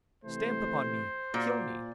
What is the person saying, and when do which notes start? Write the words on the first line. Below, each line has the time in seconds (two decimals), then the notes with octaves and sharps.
'Stamp upon me, kill me!
0.24 C3 E3 A3 C5
1.34 A#2 F#4